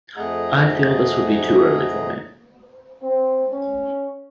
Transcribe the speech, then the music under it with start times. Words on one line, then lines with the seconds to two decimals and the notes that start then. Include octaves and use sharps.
I feel this would be too early for me.
0.17 F2 A3 G#4 D#5 F#5 A#5
3.02 C4
3.52 C#4